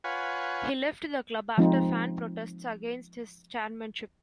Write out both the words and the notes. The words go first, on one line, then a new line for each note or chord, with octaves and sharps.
He left the club after fan protests against his chairmanship.
F4 B4 C#5 F#5 G#5
F3 G#3 C4 D#4 F4